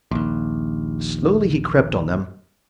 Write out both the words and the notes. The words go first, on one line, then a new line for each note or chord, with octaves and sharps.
Slowly he crept on them.
A#1 D#2